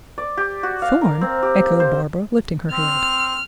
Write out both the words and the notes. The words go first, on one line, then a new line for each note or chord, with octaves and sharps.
"Thorn!" echoed Barbara, lifting her head.
D5
G4
F#4
F5
A#4
C4
G4
C5
C4 F6